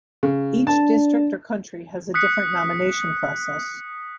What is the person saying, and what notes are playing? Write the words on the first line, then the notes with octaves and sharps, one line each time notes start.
Each district or county has a different nomination process.
C#3
D4 A5
D#6 F#6 B6 C#7